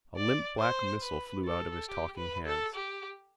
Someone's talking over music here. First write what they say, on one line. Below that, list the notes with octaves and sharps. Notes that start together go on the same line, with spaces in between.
A limp black missile flew out of his talking hands.
D5
C5
B4
A4
G4
B4
A4
G4